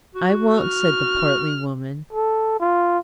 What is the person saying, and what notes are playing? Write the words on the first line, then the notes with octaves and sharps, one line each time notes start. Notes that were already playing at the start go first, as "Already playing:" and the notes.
"I won't," said the portly woman.
F#4
F6
A4
F4